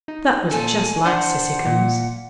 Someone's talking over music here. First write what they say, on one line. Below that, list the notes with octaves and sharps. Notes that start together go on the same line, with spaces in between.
That was just like Cissycums.
D#4
A#2 A4 G#5
D4 C5 F#5
A#2